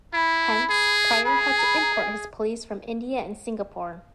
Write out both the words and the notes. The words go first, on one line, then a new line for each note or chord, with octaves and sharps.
Hence, Pryer had to import his police from India and Singapore.
E4 B5
G#4
G#4 B5
G#5
A#5
B5
G#5
A#5
E5
G#5